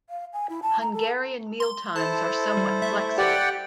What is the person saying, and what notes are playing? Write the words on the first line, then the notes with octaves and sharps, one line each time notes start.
Hungarian meal times are somewhat flexible.
F5
G#5
E4
A5
A#5
A4
C6
E4 A4 C5 A5
G3
A3 E5
G4 D5 F#5 G5